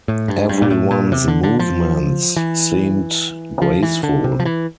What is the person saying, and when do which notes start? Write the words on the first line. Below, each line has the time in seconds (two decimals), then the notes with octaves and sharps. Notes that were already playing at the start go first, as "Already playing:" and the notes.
Everyone’s movements seemed graceful.
0.08 A2
0.28 G2
0.49 G2
0.62 A#2
0.71 A2
0.91 A#2
1.12 C3
1.28 D3
1.43 D3
1.59 F3
2.36 E3
3.62 F3
3.82 E3
4.03 D3
4.24 C3
4.40 F3
4.45 E3